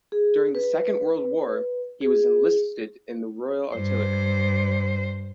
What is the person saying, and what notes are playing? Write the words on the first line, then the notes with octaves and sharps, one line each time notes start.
During the Second World War he was enlisted in the Royal Artillery.
G#4
B4
G#4
G2 C5